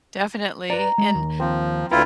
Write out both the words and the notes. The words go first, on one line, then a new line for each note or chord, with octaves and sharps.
Definitely, and
B4 D5 A#5
G#3
D#2
F3 C4
D2 E4 F4 B4 G5 A#5